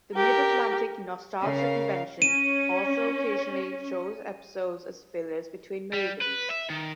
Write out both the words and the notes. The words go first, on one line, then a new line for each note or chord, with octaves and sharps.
The Mid-Atlantic Nostalgia Convention also occasionally shows episodes as fillers between movies.
G4 A#4
C#3 A#4 F5
C#4 D#7
G3
B4
E5
D#3